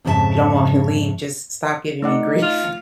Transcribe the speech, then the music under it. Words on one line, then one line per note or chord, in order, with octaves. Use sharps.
"If you don't want me to leave, just stop giving me grief
F2 G#2 C#3 C#4 E5 A5
A3 D#4 D5 F#5
F4